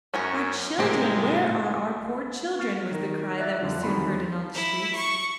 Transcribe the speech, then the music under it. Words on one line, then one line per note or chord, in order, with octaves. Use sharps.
'Our children! where are our poor children?' was the cry that was soon heard in all the streets.
F#2 C#4 A#4 C#5
A2 G#3 C4 G4 A#4
C#6 F6 A6 C7
D#3 A#4
D5 E5 F#6 A6
F2 D3 F4
E2 D#3 C4 F#4 B5 C6
E4
C#6